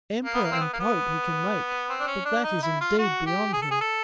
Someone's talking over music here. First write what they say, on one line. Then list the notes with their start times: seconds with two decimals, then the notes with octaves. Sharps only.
Emperor and pope he can make, but that is indeed beyond him.
0.25 A#3
0.34 B3
0.44 A#3
0.52 C4
0.61 B3
0.73 A#3
0.80 B3
1.90 C4
2.00 D4
2.07 C#4
2.25 D4
2.44 D#4
2.63 E4
2.81 F4
2.99 F#4
3.26 G4
3.53 G#4
3.62 A4
3.71 G#4
3.81 A4